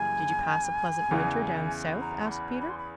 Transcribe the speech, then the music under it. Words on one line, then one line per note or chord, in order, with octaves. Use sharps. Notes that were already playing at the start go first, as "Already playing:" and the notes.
"Did you pass a pleasant winter down South?" asked Peter.
Already playing: F#2 C#3 E3 G3 A#3 G#5
E2 C#3 E3
A#5
C6
B5
B5
C6
B5